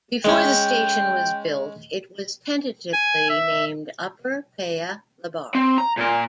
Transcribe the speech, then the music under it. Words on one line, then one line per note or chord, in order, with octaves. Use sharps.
Before the station was built, it was tentatively named Upper Paya Lebar.
G#3 C#4 G5
G#5
E5
C4
A#5
A#2 A#4